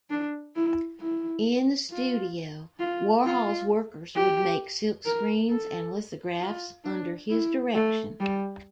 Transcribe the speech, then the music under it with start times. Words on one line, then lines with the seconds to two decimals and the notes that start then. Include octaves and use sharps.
In the studio, Warhol's workers would make silkscreens and lithographs under his direction.
0.10 D4
0.56 E4
1.00 E4
1.91 F4
2.80 F4
3.25 F4
4.15 G4
5.05 A#4
5.49 A4
6.40 F4
6.84 D4
7.30 E4
7.75 A3
8.20 G3